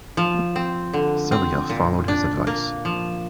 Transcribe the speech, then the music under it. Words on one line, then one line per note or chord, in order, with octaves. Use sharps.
Celia followed his advice.
F3
C4
D3
C4
A#2
D4
A#3
F3